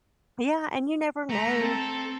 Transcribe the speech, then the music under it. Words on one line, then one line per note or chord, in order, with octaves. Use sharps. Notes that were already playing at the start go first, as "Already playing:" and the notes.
Yeah, and you never know
A3 A#5
C4 A4